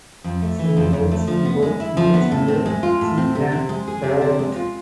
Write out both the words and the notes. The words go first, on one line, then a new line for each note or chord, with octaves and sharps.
She writes in both English and Shetland dialect.
F2
A3
E3
F2
F2
A3
F3
B3
G#3
E4
F3
B3
A2
C4
G#3
F4
A2
C4
C3
C4
G#3
G#4
C3
C4
G#3
F4